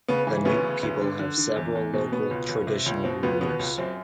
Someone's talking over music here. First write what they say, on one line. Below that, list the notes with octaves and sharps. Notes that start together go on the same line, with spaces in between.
The Nupe people have several local, traditional rulers.
C#3 B3
E3
D2 B3 C#4
C#3
D2
D3
D3
D3
E2
E2
B2 C4
B2 B3
C#2
C#2
C3
C#2
B2 C4
C#2 B3
B2 B3
C#2
F#2 C4